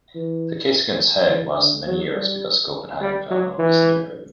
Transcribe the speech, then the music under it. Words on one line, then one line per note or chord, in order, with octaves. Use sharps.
The case against Hauge lasted many years because Copenhagen found no reason to hurry.
E3
E3
D3
F#3
G3
G3
F#3
E3